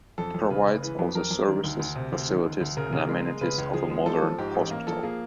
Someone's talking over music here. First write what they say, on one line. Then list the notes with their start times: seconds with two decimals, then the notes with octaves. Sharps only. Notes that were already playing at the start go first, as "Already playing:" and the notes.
It provides all the services, facilities and amenities of a modern hospital.
0.18 F2 A4
0.34 F2
0.50 C#3 B4
0.67 C#3
0.83 E3 B4
0.99 F2
1.15 F2 A#4
1.31 F2
1.47 D#3
1.64 D2
1.79 D2
1.96 C3
2.12 D2
2.28 D#3
2.44 D2
2.61 D2
2.77 C#3 A#4
2.93 C#3
3.09 G#3
3.25 G#3
3.41 C#3 B4
3.58 C#2
3.73 F3 G#4
3.90 G#3
4.06 F3 A4
4.22 F3
4.38 G#2 G4
4.55 A1
4.71 A#3
4.87 F3 A4
5.03 A#3 G#4